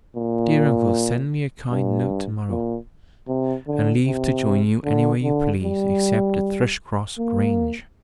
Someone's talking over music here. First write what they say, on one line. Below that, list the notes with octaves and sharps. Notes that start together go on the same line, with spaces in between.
Dear uncle! send me a kind note to-morrow, and leave to join you anywhere you please, except at Thrushcross Grange.
A#2
G2
A#2
C3
D3
C3
D3
D3
G3
A#3